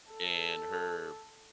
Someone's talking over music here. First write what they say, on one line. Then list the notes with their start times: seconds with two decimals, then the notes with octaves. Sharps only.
and her
0.11 A4